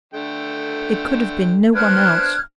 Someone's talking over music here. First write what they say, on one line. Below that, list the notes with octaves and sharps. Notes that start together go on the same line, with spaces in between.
"It could have been no one else."
D3 A3 G5
B3 D4 C5 F6 F#6 G#6